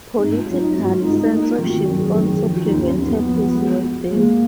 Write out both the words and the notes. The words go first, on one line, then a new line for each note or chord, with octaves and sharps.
Political censorship also prevented his work there.
G#1 D#4
F4
F#3
D#4
G#1 F#4
F4
G#2 D#4
D#4
A#3 D#4
F4
D#3
F#4
F#2 F#4
G#4
D#3 A#4
G#4
F3 F#4
D#4
D#2
C#4
D#2 B3
F3
G#3
F#4
G#3 A#3